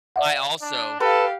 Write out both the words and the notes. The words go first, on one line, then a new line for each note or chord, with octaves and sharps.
I also
D5 E5 F#5
D4
G4 A4 B4 F5